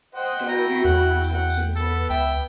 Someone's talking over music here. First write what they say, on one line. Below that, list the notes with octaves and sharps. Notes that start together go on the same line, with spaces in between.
Diarrhea is not a side effect.
C5 D#5 F#5 G5
E4 F#4 A#5
E2 F#5
F#5
B3 A4
C#2 E5 G5